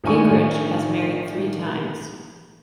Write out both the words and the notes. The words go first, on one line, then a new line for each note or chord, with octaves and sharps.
Gingrich has married three times.
A1 D#3 D4 G#5 C#6